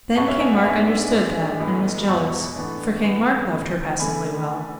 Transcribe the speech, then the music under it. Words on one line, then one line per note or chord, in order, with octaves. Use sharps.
Then King Mark understood that and was jealous, for King Mark loved her passingly well.
B1 B2 G#3 B3 A5 C#6
C#5 E5
E5 G#5
D5 F#5
G#2 G#3 B3 D4 E5 G#5
A2 G#3 D4
B1 A2 E3 G#3
E1 E2 B2 A5 C#6
A2 E3 B3 D4
A2 E3 B3
D2 C#3 E3
C#3 E3 A3 D4 G#5 B5